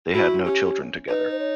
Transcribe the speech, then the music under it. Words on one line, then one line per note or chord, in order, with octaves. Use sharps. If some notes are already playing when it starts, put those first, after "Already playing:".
They had no children together.
E4 F#4
C#4 G4
D#4 B4
C5
C#5